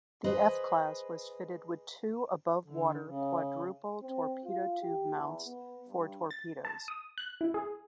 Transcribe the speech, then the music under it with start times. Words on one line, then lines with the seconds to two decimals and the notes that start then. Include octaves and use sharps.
The F class was fitted with two above-water quadruple torpedo tube mounts for torpedoes.
0.24 G#4 B4 C5 D#5
2.64 D3
3.04 C#3
4.02 C4
4.45 F4
4.82 G4
5.16 E2
5.45 B3
5.89 G2
6.31 A6
6.65 A5
6.88 D#6
7.18 F#6
7.41 E4
7.54 G#4